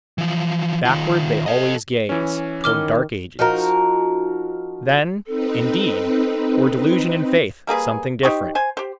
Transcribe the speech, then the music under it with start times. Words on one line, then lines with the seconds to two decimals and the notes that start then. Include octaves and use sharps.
Backward they always gaze toward dark ages: then, indeed, were delusion and faith something different.
0.18 E3 F3
0.85 D#3 F4
1.46 A4 D#5
2.09 E3 C#4
2.64 D#3 D6 F6 G7
3.39 F3 D#4 F#4 A#4
5.27 C4 D#4 A4 B4
7.67 G3 A#3 G#4 B4
8.23 D#4 G4 C5 C#6
8.55 C5 G#5
8.77 G4 C5